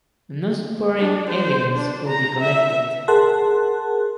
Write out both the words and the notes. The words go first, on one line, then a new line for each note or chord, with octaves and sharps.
No supporting evidence could be collected.
D4
C5
D4
A#5
E5
G#4 A#4 F#5 A5 C6 F#6